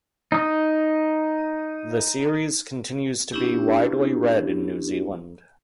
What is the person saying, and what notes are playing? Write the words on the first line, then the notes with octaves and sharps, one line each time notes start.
The series continues to be widely read in New Zealand.
D#4 D#6
B3 C#4 D4 E4 G4